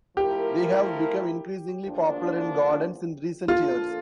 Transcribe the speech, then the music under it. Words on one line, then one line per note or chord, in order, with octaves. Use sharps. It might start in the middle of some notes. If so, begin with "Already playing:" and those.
They have become increasingly popular in gardens in recent years.
F3 A3 E4 G4 A#4
E2 D3 F3 A#3 D4
F3 A#3 D4 F4 A4